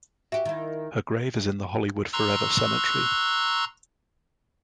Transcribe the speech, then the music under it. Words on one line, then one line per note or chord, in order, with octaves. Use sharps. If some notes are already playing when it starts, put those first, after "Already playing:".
Her grave is in the Hollywood Forever Cemetery.
F#4 G4 E5
D#3 E4
A#5 C6 C#6 E6 F#6